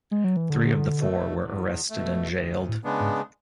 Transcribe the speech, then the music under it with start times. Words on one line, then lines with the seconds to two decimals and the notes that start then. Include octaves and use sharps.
Three of the four were arrested and jailed.
0.11 G#3
0.24 F#3
0.37 E3
0.50 E2 D3
0.97 B2 A3
1.43 E2
1.90 B2 A3
2.37 D2
2.68 A2
2.84 C#3 G#3 B3 D4
3.00 G#2